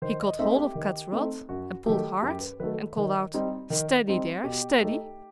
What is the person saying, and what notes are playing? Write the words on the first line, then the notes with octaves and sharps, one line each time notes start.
He caught hold of Kat's rod and pulled hard and called out, "Steady there, steady!"
D#3 C5
D#5
A3 C4 D#4 E5
G4
D#3
A3 C4 D#4
F#2 F#4
D#3 F#3 A3 G4
F#2 G4
B4
D#3 F#3 A3 B4
D#3
G3 C4 D#4
D#3
G3 C4 D#4
B2 G4
A3 D#4